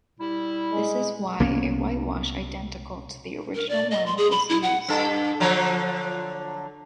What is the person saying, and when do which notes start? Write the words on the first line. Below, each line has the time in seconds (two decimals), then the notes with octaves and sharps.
This is why a whitewash identical to the original one was used.
0.20 G3 E4
0.73 G#3
1.40 C2 A#3 B3 C#4
3.55 A#4
3.69 D5
3.91 D#5
4.06 C6
4.18 G#4
4.31 B5
4.49 E4
4.62 F#5
4.88 G2 A4
5.40 D3 F3 F#3